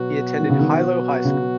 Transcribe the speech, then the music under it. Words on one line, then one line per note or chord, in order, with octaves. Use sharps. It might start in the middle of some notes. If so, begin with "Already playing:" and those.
He attended Hilo High school.
Already playing: B2 F#3 B3 F#4
D#3
C#3
D#3
C#3